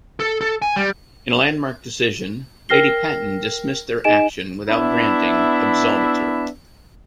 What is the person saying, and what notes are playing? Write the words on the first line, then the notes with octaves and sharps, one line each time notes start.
In a landmark decision, Lady Paton dismissed their action without granting "absolvitor".
A4
A4
G#5
G3
A#4 G5 F6 A#6 C7 G7
D#4 G#4 D#5 G#5 D7 E7
B3 D4 E4 E5